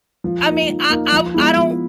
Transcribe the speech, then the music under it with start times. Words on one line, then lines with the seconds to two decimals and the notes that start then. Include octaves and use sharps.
I mean, I I w I don't
0.24 F3
0.46 A#3 D#4
0.69 F3
0.90 A#3 D#4
1.12 F3
1.34 G#3 B3 E4
1.56 F3